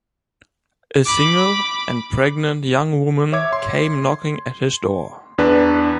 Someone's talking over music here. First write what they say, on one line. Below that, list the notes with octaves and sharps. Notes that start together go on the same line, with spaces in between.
A single and pregnant young woman came knocking at his door.
B5 D6
C#5 E5 D6 G#6
C6
E2 D4 B4